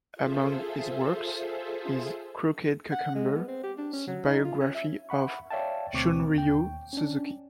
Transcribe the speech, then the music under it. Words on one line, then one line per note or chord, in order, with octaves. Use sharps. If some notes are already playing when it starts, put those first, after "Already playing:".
Among his works is "Crooked Cucumber", the biography of Shunryu Suzuki.
F4 G#4 A4 C5 E5
F#5
G#3
B3
C4
G4
D4
C#4
F#3
D#4
F4
C#4
E5
E5 F#5 B5 C#6
C#5 D5 E5 F5 G5 A5
D2 B2 C4 C#6 D6
D#2 G5
C#4 D4